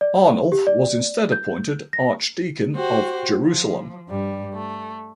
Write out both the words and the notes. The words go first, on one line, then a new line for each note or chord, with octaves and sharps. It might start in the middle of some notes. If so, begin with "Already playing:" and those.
Arnulf was instead appointed archdeacon of Jerusalem.
D5
G4
D5
G6
A#6
F#4 G4 C5
F3
G2 G3
A3